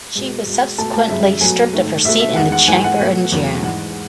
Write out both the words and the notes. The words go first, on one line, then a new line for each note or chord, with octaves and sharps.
She was subsequently stripped of her seat in the Chamber in June.
B2 G#3
B2 G#3
B2 A3 A5
A5
F#2 C#3 G#3 E5
B2 F#3 A3 G#5
G#2 D#3 A3
B2 A3 E5
E5
E2 D#3 G#3 F#5
F#5
G#2 E3 A3 G#5
F#5
B2 A3
E2 C#3 F#3 A3
G#2 E3 G#3 F#5